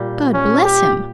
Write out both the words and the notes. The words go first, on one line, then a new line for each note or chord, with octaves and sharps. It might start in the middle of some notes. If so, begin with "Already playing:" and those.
God bless him!
Already playing: A#2 G3
C#4
G4